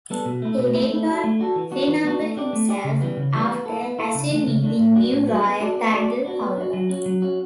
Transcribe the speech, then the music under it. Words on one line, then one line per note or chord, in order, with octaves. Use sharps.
He did not renumber himself after assuming the new royal title, however.
G3 B3 D4 A4
B2
A3 E4
B2
A3 E4
A3
D4 F#4 A4
A3
D4 F#4 A4
E3
B3 D4 F#4
E3
B3 D4 F#4
A3
D4 G4 D5
A3
D4 G4 D5
C#3
E3 G3 B3
C#3
E3 G3 B3
B3
E4 A4
B3
E4 A4
C#3
E3 A3 D4
C#3
E3 A3 D4
A2
G3 D4 F#4
A2
G3 D4 F#4
B3
D4 F#4 A4 D5
B3
D4 F#4 A4 D5
B3
D4 F#4
B3
D4 F#4
F#3
C#4 F#4
F#3
C#4 F#4